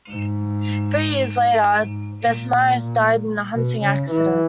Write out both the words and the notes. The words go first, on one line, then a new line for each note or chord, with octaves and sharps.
Three years later Desmares died in a hunting accident.
G#2
G#2
A#2
B2
C#3
E3